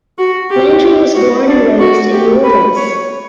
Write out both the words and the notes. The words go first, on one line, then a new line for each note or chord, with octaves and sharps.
Landry was born and raised in New Orleans.
F#4
G4
F#4
D4
F#4
G4
B4
C#5